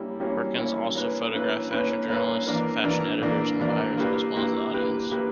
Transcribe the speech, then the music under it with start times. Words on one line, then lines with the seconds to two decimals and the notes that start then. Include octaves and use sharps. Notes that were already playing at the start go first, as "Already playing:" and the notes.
Perkins also photographed fashion journalists, fashion editors and buyers as well as the audience.
Already playing: G3 A#3 C#4 E4
0.20 G3 A#3 C#4 E4
0.57 G3 A#3 C#4 E4
0.95 A#3 C#4 E4 B4
1.34 A#3 C#4 E4 B4
1.71 A#3 C#4 E4 B4
2.08 A#3 C#4 E4 B4
2.46 E3 A#3 D4 A#4
2.84 E3 A#3 D4 A#4
3.22 E3 A#3 D4 A#4
3.59 E3 A#3 D4 A#4
3.98 A#3 E4 G4 B4
4.36 A#3 E4 G4 B4
4.74 A#3 E4 G4 B4
5.11 A#3 E4 G4 B4